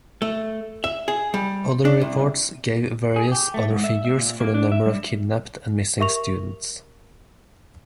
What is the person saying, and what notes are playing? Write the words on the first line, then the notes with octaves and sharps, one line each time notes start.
Other reports gave various other figures for the number of kidnapped and missing students.
A3
E5
G#4
G3
D4
C2
G#4
G4
A3
G#2
E5
E5
A#2
A#3
D4
E5
G3
G4 A#4 E5 C#6 F7